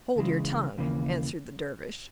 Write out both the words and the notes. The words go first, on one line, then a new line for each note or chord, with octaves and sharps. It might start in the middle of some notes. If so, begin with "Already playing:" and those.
"Hold your tongue," answered the Dervish.
C#2 C#3 E3 G#3
D#2 C#3 E3 A#3